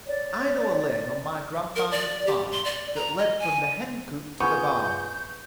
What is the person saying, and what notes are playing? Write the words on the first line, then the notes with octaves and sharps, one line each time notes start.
I know a lane on my grandfather's farm that led from the hen-coop to the barn.
C#5 D5
A#4
D5
G4
C6
D5
A#5
D#5
G#5
B3 F4 G#4 C#6 G6